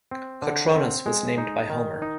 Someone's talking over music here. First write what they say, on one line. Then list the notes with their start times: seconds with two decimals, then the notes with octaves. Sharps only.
Kotronas was named by Homer.
0.11 C4
0.42 D3
0.75 C4
1.06 G#3
1.38 D#4
1.70 D#3
2.02 D#4